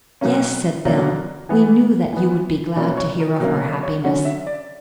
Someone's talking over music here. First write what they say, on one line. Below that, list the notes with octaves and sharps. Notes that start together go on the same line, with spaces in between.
"Yes," said Bell; "we knew that you would be glad to hear of her happiness."
B2 F#3 A#3 C#4
B2 F#3 A#3 C#4 D5
E3 B3
E3 B3
B2 F#3 A#3 C#4 D5
C#5
A#4
B2 F#3 A#3 C#4 A#4
C#5
C#5
D3 F#3 C#4 F#5
E5
D5